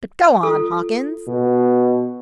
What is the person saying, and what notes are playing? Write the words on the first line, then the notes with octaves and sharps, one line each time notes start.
"But go on, Hawkins."
F4 A4
B2